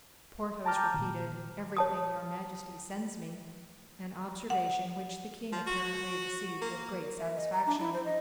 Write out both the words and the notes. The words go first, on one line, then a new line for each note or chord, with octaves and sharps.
Porthos repeated: "Everything your majesty sends me," an observation which the king apparently received with great satisfaction.
G5 A5 A#5 D6 F6 G6
A#2 D#3
C#5 A5 D#6
F#5
F3
F#4
A#3
E5
D#5
A#5
D4
E4
C5
D#5